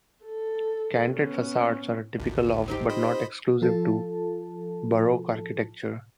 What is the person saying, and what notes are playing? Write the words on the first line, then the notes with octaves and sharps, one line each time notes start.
Canted facades are a typical of, but not exclusive to, Baroque architecture.
A4
B3 C#4
G#1 D2
C4 D#4 G4
C5 D#5 B5
F3 F4 A4 A5